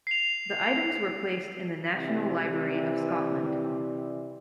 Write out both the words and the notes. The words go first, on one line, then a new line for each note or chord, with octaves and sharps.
The items were placed in the National Library of Scotland.
C7 F7
C3 E3 G3